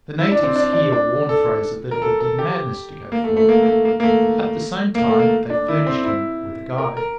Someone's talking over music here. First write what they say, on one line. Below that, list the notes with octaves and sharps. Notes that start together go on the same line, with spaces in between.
The natives here warned Fraser that it would be madness to go forward. At the same time they furnished him with a guide.
E4
D4
C4
D4
D4
D4
A4
A#4
A4
A4
G4
A#3
A3
A3
A#3
A#3
A3
A#3
A#3
A3
A#3
A3
A#3
D4
E4
C4
E4
A#4
A#4